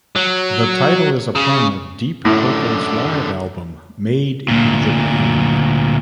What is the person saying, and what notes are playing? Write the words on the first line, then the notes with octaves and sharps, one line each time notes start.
The title is a pun of Deep Purple's live album "Made in Japan".
F#3
C#3
F#2 A2 D3
D2 A#2